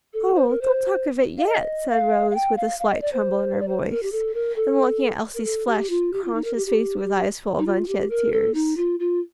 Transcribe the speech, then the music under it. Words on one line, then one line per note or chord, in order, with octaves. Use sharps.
"Oh, don't talk of it yet," said Rose, with a slight tremble in her voice, and looking at Elsie's flushed, conscious face with eyes full of unshed tears.
A4
C5
A#4
C5
F5
D#5
F5
F5
G5
F5
F5
D#5
D5
C5
D5
C5
A#4
G4
A4
A#4
A4
A#4
A4
G4
F4
G4
F4
D#4
A#4
G4
G4
D#4
F4
G4
A#4
A4
D#4
F4
F4